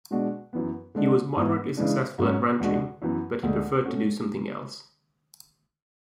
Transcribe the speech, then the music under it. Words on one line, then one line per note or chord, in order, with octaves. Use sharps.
He was moderately successful at ranching, but he preferred to do something else.
B2 G#3 D4 F#4
F#2 E3 B3
D3 G#3 D4
G#2 E3 B3 E4
C#3 E3 G#3 D4
G#2 F#3 C#4
E2 B2 G#3 D4 F#4
F#2 E3 B3
D2 D3 G#3
B2 A3 C#4 F#4